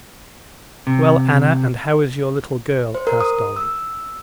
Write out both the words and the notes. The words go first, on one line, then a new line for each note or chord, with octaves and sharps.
"Well, Anna, and how is your little girl?" asked Dolly.
C3
C5
A#4
D#6
E6